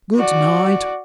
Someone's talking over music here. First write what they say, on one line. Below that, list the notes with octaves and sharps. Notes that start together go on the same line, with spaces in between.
Good night!'
F#4 D5